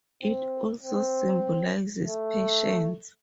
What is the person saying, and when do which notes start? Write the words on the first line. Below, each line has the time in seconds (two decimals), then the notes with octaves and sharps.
It also symbolizes patience.
0.22 C4
0.83 C4
2.07 A3